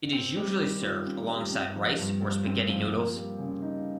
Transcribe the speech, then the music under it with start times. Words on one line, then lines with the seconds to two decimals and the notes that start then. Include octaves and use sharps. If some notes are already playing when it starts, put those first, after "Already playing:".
It is usually served alongside rice or spaghetti noodles.
0.13 C4
0.36 G3
0.60 D#3
0.82 F4
1.07 C4
1.29 G3
1.52 C4
1.76 F3
1.99 G2
2.22 G2
2.46 C4
2.69 F3
2.93 A#3
3.16 G3
3.39 C#3
3.62 D#4